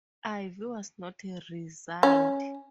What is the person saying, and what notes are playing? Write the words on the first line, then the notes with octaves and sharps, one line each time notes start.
Ivy was not re-signed.
C#4